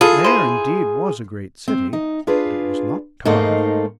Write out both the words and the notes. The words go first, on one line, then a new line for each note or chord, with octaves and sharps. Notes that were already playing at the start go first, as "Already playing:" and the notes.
There indeed was a great city, but it was not Ptarth.
E4 F4 G#4 A4
E4 C5
C4
D#4
D4 F4 G#4 B4
G#2 A3 A#3 D#4 C5